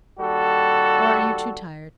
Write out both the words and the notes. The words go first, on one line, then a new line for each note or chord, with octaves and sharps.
Or are you too tired?
D#2 G3 F#4 A4